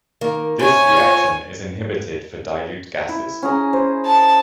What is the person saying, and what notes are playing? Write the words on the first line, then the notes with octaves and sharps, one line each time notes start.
This reaction is inhibited for dilute gases.
D#3 A#3
G#2 E4 C#5 G#5
C4 F4
E4
C#4 G#4 A#5
C5
A5